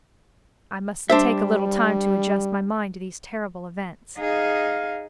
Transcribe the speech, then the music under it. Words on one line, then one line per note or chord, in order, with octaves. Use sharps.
I must take a little time to adjust my mind to these terrible events.
G3 D4 C5 E5
D#4 G#4 F5